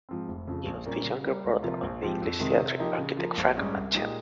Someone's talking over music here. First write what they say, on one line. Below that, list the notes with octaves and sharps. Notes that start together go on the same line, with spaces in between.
He was the younger brother of the English theatre architect Frank Matcham.
G#2 F3 C4
F1
F2 C#3 F3
A#1
A#2 G3 A#3 C#4
C#3
G3 A#3
C#2
C3 F3 A#3 F4
A#1
G#2 F3 C4 G4
F2
C3 D#3 G#3 C4
C3
F3 A#3 D#4 G4
C#3
F3 A#3
A#1
G#2 G3 C#4 G#4
C2
A#2 G#3 D#4 G4